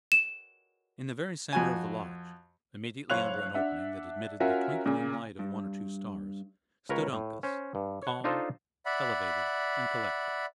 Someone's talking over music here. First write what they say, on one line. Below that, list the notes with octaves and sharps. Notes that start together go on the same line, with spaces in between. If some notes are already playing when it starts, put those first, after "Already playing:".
In the very center of the lodge, immediately under an opening that admitted the twinkling light of one or two stars, stood Uncas, calm, elevated, and collected.
E7
F2 F#4 G#5
F#1 C#5 F5 F#6 F7
D4 E5 F#5
C#4 F4 F#4 A#4 E5
A#2 C#3
G2
C#2 A#4 B4 C#5
A2
C#4 C5
G2
C#5 F#5
D4 D#4 F4 A4 C5 D#5
D5 E5 F#5 B5